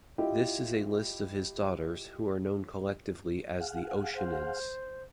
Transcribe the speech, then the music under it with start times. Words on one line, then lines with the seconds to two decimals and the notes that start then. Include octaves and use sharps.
This is a list of his daughters, who are known collectively as the "Oceanids".
0.18 E4 F4 G4 D#5
3.60 G#4 F5 F#5
4.14 C5